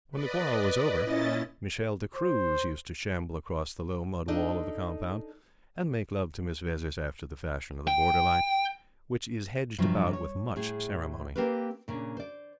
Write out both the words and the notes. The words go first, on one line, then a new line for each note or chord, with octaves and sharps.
When the quarrel was over, Michele D'Cruze used to shamble across the low mud wall of the compound and make love to Miss Vezzis after the fashion of the Borderline, which is hedged about with much ceremony.
B4 D5 D#5
A#2 C#4 E4 D#5 A6
C5
D4 D#4 A4 D#5
G5
G2 C3 F3 F#3
C#5
A2 G#4
A#3 C4 G4 A#4 B4
A#2 C#3 D4
C5 D5